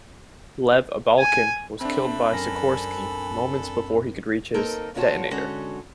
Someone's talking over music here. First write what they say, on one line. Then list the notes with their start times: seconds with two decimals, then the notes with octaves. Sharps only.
Lev Abalkin was killed by Sikorski moments before he could reach his "detonator".
1.19 G#5
1.81 C4 D4 A4 E5 B5
2.32 F#2 A#4 G#5 A#6
4.54 A#3 C4 D#4 A4 A#4
4.95 E2 A#2 F4 F#4 C#5 A5
5.31 D3 G#3 C#4 F#4 A4 C#5